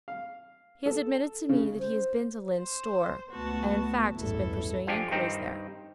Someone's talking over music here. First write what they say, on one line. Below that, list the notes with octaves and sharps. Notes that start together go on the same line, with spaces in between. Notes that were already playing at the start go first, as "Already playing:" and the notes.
He has admitted to me that he has been to Lyne's Store and in fact has been pursuing inquiries there.
F5
A4
C#3
C5
C5
C#2 A3 B3 F#4 A5
A1 E2 G2 E4 A4
F2 F3 D4 G4 G#5
G2 D#3 C4 D#4 G4